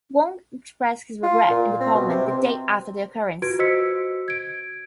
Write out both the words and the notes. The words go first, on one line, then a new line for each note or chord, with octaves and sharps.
Wong expressed his regret in Parliament the day after the occurrence.
F4
A#2
C4
B2
C3
C4
F4 F#4 B4 G#6 D7
F#4 C5 D#5 E6 B6 C#7
G#6 D7